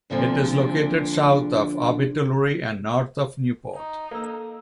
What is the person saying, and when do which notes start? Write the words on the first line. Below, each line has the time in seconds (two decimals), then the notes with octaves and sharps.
It is located south of Abertillery and north of Newport.
0.10 D2 A#2 D3 F3 C4
3.74 D#4
4.11 A#3 A4 E6